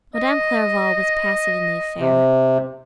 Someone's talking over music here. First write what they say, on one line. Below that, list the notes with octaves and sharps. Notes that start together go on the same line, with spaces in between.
Madame Clairval was passive in the affair.
D#5
C3